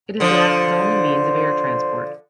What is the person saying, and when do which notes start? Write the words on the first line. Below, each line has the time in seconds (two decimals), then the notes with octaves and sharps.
It is the island's only means of air transport.
0.20 D3 F3 C5